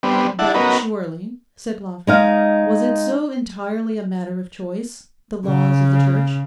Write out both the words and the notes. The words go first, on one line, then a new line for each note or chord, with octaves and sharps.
'But, surely,' said Lawford, 'was it so entirely a matter of choice--the laws of the Church?
G3 B3 C4 D4
D4 E4 F#5 A5
B3 C#4 D#4 F#4 A#4 B4
G#3 D#4 F5
C#3